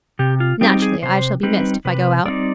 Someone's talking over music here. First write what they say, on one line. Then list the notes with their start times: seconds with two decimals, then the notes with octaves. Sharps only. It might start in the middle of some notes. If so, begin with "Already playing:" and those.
Naturally I shall be missed, if I go out.
0.19 C3 G4
0.40 F4
0.61 G3 C4 D#4 G4
0.82 G#4
1.02 C3 C5
1.43 G3 C4 D#4 B4
1.85 C3 B4
2.26 G3 C4 D#4 D5